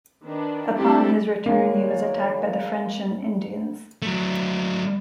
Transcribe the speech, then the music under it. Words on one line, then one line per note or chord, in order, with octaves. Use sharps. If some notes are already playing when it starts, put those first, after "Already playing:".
Upon his return he was attacked by the French and Indians.
D#3 D4 B4
G3 C4 D4 E4 G4 A4
B2 D#3 G#3 A#3 C#5
F#3 A3